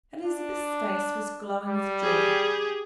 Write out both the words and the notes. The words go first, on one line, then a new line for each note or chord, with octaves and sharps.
Elizabeth's face was glowing with joy.
D4
G3
G4 G#4